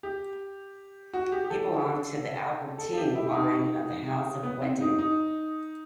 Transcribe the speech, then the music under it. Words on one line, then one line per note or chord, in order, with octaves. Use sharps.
He belonged to the Albertine line of the House of Wettin.
G4
F#4
G4
G4
A4
A4
A4
G4
E4
E4
D#4
B3
C4
D#4
D#4